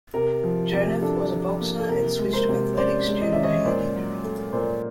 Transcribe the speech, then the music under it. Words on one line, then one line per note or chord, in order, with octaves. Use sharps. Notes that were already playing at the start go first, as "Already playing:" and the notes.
Jonath was a boxer, and switched to athletics due to a hand injury.
C3 A#4
F3
C3
D4 A4
F3
A#3
A4
C3 A#4
G#3
A#4 C5
C3
C#4 C5 D5
G#3
D#5
C#4 E5
C#5 D#5
A#2 C5 D5
F#3
A3
A#2 C5 D5